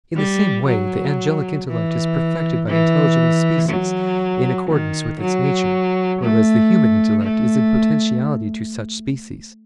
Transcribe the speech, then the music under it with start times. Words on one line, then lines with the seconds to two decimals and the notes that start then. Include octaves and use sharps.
In the same way the angelic intellect is perfected by intelligible species, in accordance with its nature; whereas the human intellect is in potentiality to such species.
0.16 G3
0.66 F#3
1.67 E3
2.68 E3
3.69 F#3
4.70 D#3
5.21 F#3
6.22 A3
7.23 A3